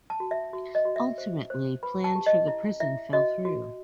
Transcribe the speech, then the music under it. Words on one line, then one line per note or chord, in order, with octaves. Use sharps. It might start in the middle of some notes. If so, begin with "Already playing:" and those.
Ultimately, plans for the prison fell through.
A5
F#4
E5
F#4
D#5
F#4
E5
C5
C5
B4 B5
A5
G4
D#5
E4
E4 E5
F#4 D#5
F#4